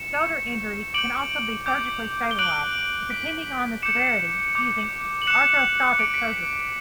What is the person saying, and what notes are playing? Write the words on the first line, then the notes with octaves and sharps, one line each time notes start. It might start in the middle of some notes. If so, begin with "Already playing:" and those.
Shoulder injuries can also be surgically stabilized, depending on the severity, using arthroscopic surgery.
Already playing: C#7 E7
C#6 E6 G6
D6 G6 D7 F#7
D6 G6
G7
D6 F#6 D7 F#7
D6 F#6 B6 D7
D6 G6 C#7 E7
D6 G6
F#7
D6 F#6 C#7 E7
D6 F#6 D7
C#7
B6 D7